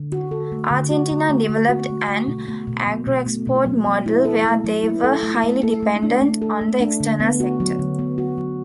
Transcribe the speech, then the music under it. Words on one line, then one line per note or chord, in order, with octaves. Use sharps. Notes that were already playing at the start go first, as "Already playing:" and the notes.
Argentina developed an agro-export model where they were highly dependent on the external sector.
Already playing: D3
F#4
A4
A3
D3
F#4
D3
A3
D3
F#4
D3
A3
B2
A3
B2
F#3
B2
A3
B2
F#3
F#3
E4
A4
A3
F#3
E4
A4
A3
A3
A4
A3
D4
A3
A4
A3
D4
D3
B3
F#4
F#3
D3
B3
F#4
F#3